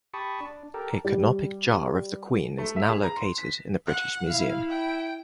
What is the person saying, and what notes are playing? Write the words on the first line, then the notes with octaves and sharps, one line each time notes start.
A canopic jar of the Queen is now located in the British Museum.
G4 A5 B5 C#6 D#6
D4
G4 A4 A#4
G3
A3
E5
G#4
A#5
C6
B6
F#5
E4 F5
G5